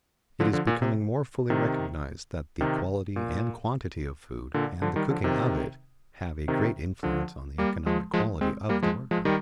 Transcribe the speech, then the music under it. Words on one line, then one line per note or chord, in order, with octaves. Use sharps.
It is becoming more fully recognized that the quality and quantity of food, and the cooking of it, have a great influence on the economic quality of the worker.
D3 F3
D3 F3
A#2
C3
C3 D#3
C3 D#3
A#2
A#2 D3
D3 F3
D#3 G3
D3 F3
C3 D#3
C3 D#3
D3 F3
G3 A#3
F3 G#3
F3 G#3
G#3 C4
G3 A#3
F3 G#3
F3 G#3
D#3 G3